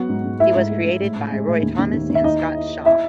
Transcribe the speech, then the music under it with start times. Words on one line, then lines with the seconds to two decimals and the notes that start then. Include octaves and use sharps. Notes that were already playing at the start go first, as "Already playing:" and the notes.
He was created by Roy Thomas and Scott Shaw.
Already playing: F#3 B3 F#4 F#5
0.09 G#2
0.25 G#2
0.39 A3 E4 E5
0.55 G#2
0.71 A3
0.86 G#2
1.01 A2
1.16 A2
1.32 G#3
1.47 A2
1.63 D#2
1.79 D#2
1.93 D#2
2.09 D#2
2.15 E5
2.24 D#4 E4 D#5
2.40 E4
2.56 E4
2.70 E4
2.86 E4 E5